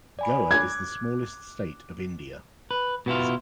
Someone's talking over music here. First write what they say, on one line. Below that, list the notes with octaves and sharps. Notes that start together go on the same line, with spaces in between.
Goa is the smallest state of India.
D5 G#5 B5
D6 F#6 G#6
B4
B2 B3 E4 F4